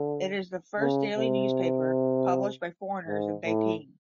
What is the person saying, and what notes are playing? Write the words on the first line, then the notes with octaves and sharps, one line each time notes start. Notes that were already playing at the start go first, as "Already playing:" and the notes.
It is the first daily newspaper published by foreigners in Beiping.
Already playing: D3
C#3
C3
G#2
A2